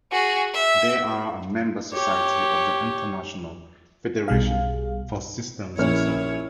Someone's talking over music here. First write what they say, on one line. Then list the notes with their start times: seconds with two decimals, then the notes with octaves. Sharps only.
They are a member society of the International Federation for Systems Research.
0.12 F#4 G#4
0.54 E5
1.93 G4 C#5
4.28 B1 B2 G3 G#4 F5
5.78 A#1 D#3 C#4 E4 C#5 F6